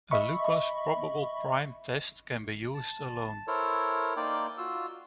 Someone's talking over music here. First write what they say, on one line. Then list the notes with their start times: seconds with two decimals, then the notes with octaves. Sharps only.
A Lucas probable prime test can be used alone.
0.11 D#5 E5 B5 C#6
2.74 A5
3.48 E4 A4 A#4 C5 C#5
4.17 A#3 D#4 D5 G5 C6 D6
4.58 F4 F#4 E6